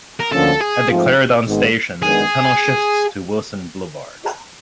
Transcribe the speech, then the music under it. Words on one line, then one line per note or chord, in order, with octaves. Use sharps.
At the Clarendon station, the tunnel shifts to Wilson Blvd.
A#4
D2 D3 F3 A#3 C#4 A4
G#4
G#2 F3 A3 C4 F4
G#1 G#2 D#3 G#3 B3
D#3 G#3 B3 D4 G#4